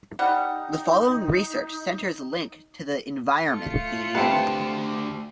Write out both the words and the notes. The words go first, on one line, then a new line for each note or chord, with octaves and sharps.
The following research centres link to the environment theme.
G3 D#4 F#5
A3 F4 C#7
D2 C4 G4 B4 E5 A5